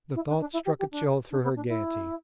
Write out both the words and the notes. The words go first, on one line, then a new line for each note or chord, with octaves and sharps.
The thought struck a chill through her gaiety.
E4
D4
D4
E4
G4
G4
D4
D4
B3
D4
E4